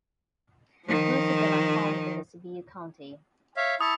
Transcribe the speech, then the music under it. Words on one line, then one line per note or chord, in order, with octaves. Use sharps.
Most of them are found in the Sibiu County.
D#3 F3
C#5 E5 F5
E4 A5 C#6 D#6